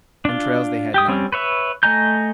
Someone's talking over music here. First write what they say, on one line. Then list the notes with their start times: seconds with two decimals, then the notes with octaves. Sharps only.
Entrails they had none.
0.25 D4 F4
0.94 G4 G5 D#6
1.08 G3 C4 C#4
1.32 B4 C#5 E5
1.83 A3 D#5 G#5 A#5 G6